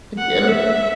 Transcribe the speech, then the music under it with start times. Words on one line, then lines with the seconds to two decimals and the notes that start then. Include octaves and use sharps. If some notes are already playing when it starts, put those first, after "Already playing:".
I can't
0.18 F#5
0.47 E5